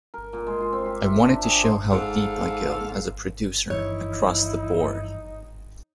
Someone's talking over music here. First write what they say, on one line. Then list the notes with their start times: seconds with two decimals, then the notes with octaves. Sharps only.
I wanted to show how deep I go as a producer across the board.
0.14 A#4
0.33 A#2
0.47 G#3
0.61 F4
0.73 C4
0.85 G4
1.01 E5
1.25 D4
1.43 G#4
1.64 C5
1.92 G#2 A4 F5
3.70 G2 E3 F3 D#4 E4 C#5